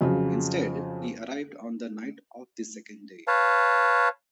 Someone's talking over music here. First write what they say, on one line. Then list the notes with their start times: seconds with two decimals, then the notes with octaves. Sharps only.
Instead, he arrived on the night of the second day.
0.01 F2 C#3 F3 F#3
3.27 B4 C#5 F5 A5